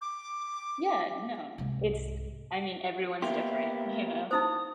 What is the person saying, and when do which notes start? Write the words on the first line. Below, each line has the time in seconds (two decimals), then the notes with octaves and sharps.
Yeah, no, it's I mean, everyone's different, you know?
0.01 D6
1.58 C2 G#2
3.22 A#3 B3 G4 E5 C6
4.31 D#4 E4 C5 D#6